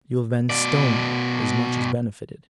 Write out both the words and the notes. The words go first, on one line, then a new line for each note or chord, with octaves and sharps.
You have been stoned as much as benefited.
B2 D5